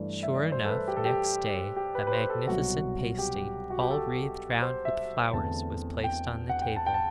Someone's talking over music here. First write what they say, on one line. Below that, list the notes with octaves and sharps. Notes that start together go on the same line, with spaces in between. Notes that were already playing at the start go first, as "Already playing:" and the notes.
Sure enough, next day a magnificent pasty all wreathed round with flowers was placed on the table.
Already playing: G2 E3 A3 D4
E5
D5
C5
A4
B4
G4
A4
G4
G4
B4
B4
C5
A4
C2 B2 F#3 F#4
G4
F#4
G4
A4
C5
E5
E2 D3 A3 C4 A5
G5
F#5
G5
A5
G5
A5